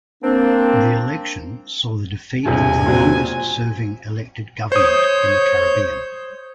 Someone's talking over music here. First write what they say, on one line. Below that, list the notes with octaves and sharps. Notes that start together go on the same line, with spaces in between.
The election saw the defeat of the longest-serving elected government in the Caribbean.
A#3 C4 D4
E1 G2 C3 G#5
A#2 F#3 C4
C5 C#5 D#6 G6